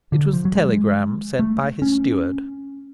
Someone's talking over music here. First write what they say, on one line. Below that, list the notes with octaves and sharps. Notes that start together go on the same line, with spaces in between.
It was the telegram sent by his steward.
D3
F3
F#3
G#3
A3
C#4